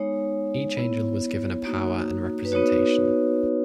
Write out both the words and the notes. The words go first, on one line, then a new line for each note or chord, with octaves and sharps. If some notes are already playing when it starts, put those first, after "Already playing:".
Each angel was given a power and representation.
Already playing: G#3 B3 D#4 C#5
B3 E4
A#3 D#4 F#4
B4
B3 D#4 F#4 C#5